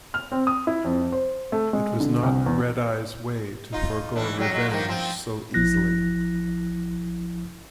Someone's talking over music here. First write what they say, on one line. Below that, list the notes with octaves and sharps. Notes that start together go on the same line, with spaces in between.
It was not Red-Eye's way to forego revenge so easily.
F6
C4
D#6
E4
F2
C5
A3
G#3
D3
C2
E2
D#4 F4
E3 C#4 D4
F#3 G3
F#3 G#3
D#3 F3 A#3
F3 C4
A1 F3 E4 F#6 A#6